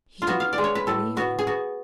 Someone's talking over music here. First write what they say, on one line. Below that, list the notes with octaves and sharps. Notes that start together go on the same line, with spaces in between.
He did not believe her.
F4
B3 F#4
F5
D5
G#3
C#5
B4
A2 A4
B3 F#4
G#4
B3 F#4